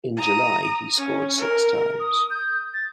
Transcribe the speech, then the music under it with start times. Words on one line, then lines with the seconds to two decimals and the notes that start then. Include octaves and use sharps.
In July, he scored six times.
0.17 A#5 D#6
0.98 C#4
1.37 A#4
2.00 D#6
2.31 G6
2.74 A6